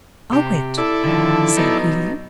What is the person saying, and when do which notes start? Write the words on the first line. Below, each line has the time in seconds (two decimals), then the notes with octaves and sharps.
"Owe it?" said he.
0.32 C3 G4
0.78 E4 A4 D5
1.03 D3 D#3 F3
1.57 F#3 B3 D#4